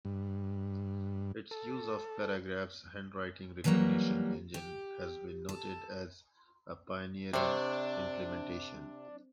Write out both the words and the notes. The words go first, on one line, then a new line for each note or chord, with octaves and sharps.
Its use of ParaGraph's handwriting recognition engine has been noted as a pioneering implementation.
G2
A4
D3 E3 F#3 G3 A#3
G4
A4
C3 C4 D4 C#5